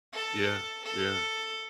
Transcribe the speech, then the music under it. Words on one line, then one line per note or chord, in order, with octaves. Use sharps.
Yeah, yeah.
A4 A5
A4